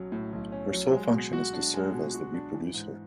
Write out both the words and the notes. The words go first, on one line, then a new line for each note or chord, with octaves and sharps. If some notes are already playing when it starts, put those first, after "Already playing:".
Her sole function is to serve as the reproducer.
Already playing: B1 F#3 C#4
A2
B1
C#4
F#3
G#3
B2
F#4
D4
G#3
B2
F#4
D4
E3
G#2